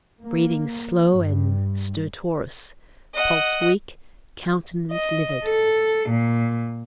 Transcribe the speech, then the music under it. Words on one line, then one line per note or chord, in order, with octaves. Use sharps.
Breathing slow and stertorous, pulse weak, countenance livid.
A#3
G2
D#5 F#5
D#5
A4
A#2